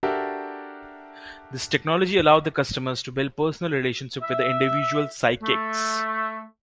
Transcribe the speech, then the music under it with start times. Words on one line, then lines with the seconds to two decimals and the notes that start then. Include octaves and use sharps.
This technology allowed the customers to build personal relationships with individual "psychics".
0.03 D4 F#4 G4 A4 A#4 E5
4.22 E5
5.43 A3